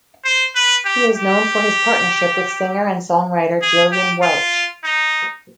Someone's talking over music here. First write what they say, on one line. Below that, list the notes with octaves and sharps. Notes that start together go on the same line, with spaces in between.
He is known for his partnership with singer and songwriter Gillian Welch.
C5
B4
G4
G4
G#4
G4
F4
D#4